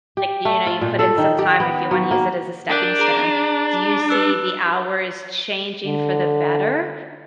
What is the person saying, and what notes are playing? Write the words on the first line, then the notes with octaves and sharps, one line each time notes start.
like, you know, you put in some time if you wanna use it as a stepping stone, do you see the hours changing for the better?
G4
A3
F4
A#2
A4
D#3
G4
B3
F#3
A#3
D4 A#4 F#6 G6
G#4 A#5
B4 E6 F#6
D3